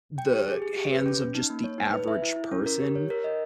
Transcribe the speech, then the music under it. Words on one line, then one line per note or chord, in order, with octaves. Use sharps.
the hands of just the average person
G5
G4
G#4
G#4
G4
B4
C#4
C#4
D#4
A#3
C#5
D#4
B4
E5
E4
E4
C#4
A#4
G4
C#5
A#4
D#5